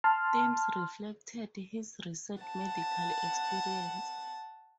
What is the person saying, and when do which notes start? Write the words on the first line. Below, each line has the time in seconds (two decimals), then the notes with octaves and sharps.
Themes reflected his recent medical experience.
0.04 A5 C6 F6
2.41 F#5 A5